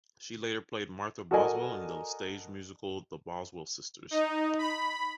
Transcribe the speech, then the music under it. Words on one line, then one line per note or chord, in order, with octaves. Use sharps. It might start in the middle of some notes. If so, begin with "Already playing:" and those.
She later played Martha Boswell in the stage musical "The Boswell Sisters".
F#4 A4 A#4 D5 D#5 G#5
D#4
B5